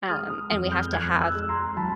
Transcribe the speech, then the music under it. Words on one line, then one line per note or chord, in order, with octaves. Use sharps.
um, and we have to have
G#3 D#6 F6
D#6 F6
F2 D#6 F6
F6 G6
F2 F#6 G#6
E6 F#6
G#3
A#5 C6
F#3 A5 B5